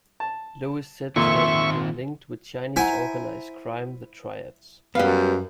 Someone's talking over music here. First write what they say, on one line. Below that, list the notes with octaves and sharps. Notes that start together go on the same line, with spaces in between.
Lo is said to have been linked with Chinese organized crime, the Triads.
A5
F2 A#2 D#3 C4 E5 C6 C#6
E4 C5 F#5 G#5 A#5
F#2 G3 B3 B4 F5